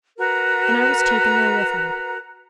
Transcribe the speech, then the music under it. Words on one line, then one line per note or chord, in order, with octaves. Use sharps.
And I was taken there with him.
F#4 A#4 B4 A#5